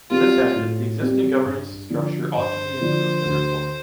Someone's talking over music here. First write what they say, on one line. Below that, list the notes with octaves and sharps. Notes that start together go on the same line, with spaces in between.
To this end, the existing governance structure ought to be improved and reformed.
G3 C4 F4 G4
A2
G3 C4 G4
G2
D3 F3 D4
G2 C5
D3 F3 D4
D2